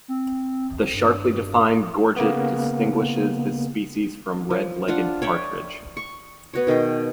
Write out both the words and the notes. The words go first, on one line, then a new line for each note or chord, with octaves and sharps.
The sharply defined gorget distinguishes this species from red-legged partridge.
C4
G2
C#3 A#3 B3
F3
D4 F4 F5 F#5
C#5 D5 E5 G5
C#6
B3 F#4 C#5
B2 D#3 G#4 G5